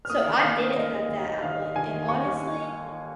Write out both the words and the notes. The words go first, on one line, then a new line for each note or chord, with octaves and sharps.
So, I didn't have that outlet and honestly,
F6
A#3 D#6
D#3
D#3 F5
A#3
A#3 D#5
D#2
D#2
D#2
D#3 F5
D#2
D#3 G#5
D#2
D#2 C#6
D#2